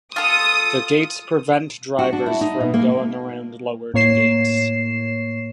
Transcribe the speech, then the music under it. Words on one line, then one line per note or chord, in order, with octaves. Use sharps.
The gates prevent drivers from going around lowered gates.
F4 A4 D#6
F#4
D4
E4
D#4
B2
A#3
A2 A#3 C#5 C7 E7